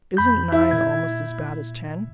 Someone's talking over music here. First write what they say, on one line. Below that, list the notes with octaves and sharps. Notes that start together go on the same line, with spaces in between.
Isn't nine almost as bad as ten?
F2 B5 G6
E4
A#2 G#6